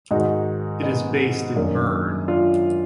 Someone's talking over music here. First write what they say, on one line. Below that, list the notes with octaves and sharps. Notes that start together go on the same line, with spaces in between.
It is based in Bern.
G#2 D#3 D#4 F#4
B3 D#4
F#2 D#3 A#3 D4
D4 F4